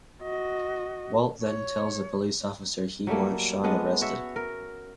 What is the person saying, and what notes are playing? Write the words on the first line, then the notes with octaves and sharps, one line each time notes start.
Walt then tells a police officer he wants Sean arrested.
F#4 D#5
C#5
F#3 G3 A3 A#3
G#3 B3 C#4 D4
F#4 C#5 E5
A#4